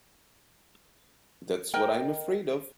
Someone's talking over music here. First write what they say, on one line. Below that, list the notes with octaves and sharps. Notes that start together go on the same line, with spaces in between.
That's what I'm afraid of.
A#4 D#5 G5